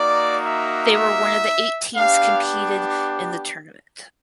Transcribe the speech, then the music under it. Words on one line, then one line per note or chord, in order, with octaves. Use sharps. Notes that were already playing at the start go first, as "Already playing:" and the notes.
They were one of the eight teams competed in the tournament.
Already playing: A#3 D#4 F#4 D5
E5
E5
B3 D4 G4 F5